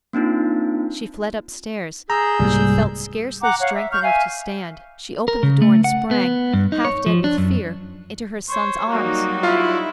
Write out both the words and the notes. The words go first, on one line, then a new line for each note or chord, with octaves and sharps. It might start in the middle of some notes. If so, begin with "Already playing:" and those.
She fled upstairs; she felt scarcely strength enough to stand; she opened the door, and sprang, half dead with fear, into her son's arms.
A#3 C4 D4 D#4 F4
G#4 A#5 E6 G6
C2 G#2 G3 A#3
F#5 G5 A#5 D6
C#5 F5 F#5
E5
C#6 F6 G6
E5 F5 G#5
A#4
C#3
A3
F#5
B3
G2
D#4
C#5
F3
D4
F#2
C5 C#5
F#3 G3 A#3 D#4 F#4
E4 F4 F5